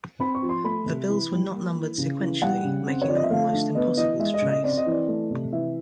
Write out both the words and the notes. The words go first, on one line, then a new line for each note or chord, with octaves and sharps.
The bills were not numbered sequentially, making them almost impossible to trace.
C4 B5
C#6
F3
C6
A3 B5
C3
E3
G3
A#3
E3
C#3
E3
G3 F#5
C#3
C4
C#5
F3 D5
D#5
E5
A3 F5
D3
B3 D#5
E3 D#5
G#3 E5
D#5
C#3
D#5
C4 D5
D#5
E3
D5
A3
C3
E3 E5